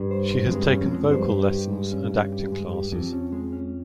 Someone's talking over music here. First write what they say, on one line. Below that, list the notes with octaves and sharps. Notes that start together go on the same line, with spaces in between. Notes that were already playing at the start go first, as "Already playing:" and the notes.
She has taken vocal lessons and acting classes.
Already playing: G2
C5
C5
F2
G2 G#3
C#4
F2
G#3
G#2
G2 C5
G4
G4
G#3
C#4
C#4
G4
G#3
G4
F2 G4
C#4
G#3
C#4